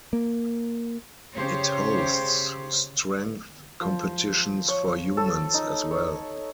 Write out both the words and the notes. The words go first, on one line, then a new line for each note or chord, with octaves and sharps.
It hosts strength competitions for humans as well.
A#3
C#3 G4 C5 C#5
F3
C#5
A4
D#4
C#5